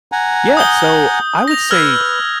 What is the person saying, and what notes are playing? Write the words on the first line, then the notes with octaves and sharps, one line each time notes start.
Yeah, so, I would say,
F#5 G#5 A#5
D#6 G6 G7
A#6 F7
B4 E6 F6 G#6